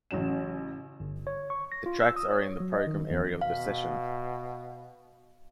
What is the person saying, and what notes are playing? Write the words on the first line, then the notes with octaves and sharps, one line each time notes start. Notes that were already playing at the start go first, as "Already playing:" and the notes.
The tracks are in the program area of the session.
A1 C#3 F#3 C#4 E7
G1
C#5
C#6
A#6
F4
E6
D#6
C#5
F#3
D#5
D#3
E2
B2 F5